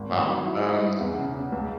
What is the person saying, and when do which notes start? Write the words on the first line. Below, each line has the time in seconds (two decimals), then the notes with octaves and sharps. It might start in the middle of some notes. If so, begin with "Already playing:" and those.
Wow, um
Already playing: G#1
0.11 G#1
0.29 F#3
0.46 E4
0.64 E4
0.82 E4
1.00 E2
1.18 C#3
1.35 C#3
1.52 C#2